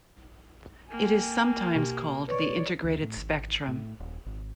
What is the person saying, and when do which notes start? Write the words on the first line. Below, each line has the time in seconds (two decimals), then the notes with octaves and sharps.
It is sometimes called the integrated spectrum.
0.91 A#3 G5 G#5
1.76 B2 G4
2.28 B4 C#5 D5 C#6
2.84 D2
3.02 A2
3.17 G#1
3.68 A2
4.00 D#1
4.26 G#1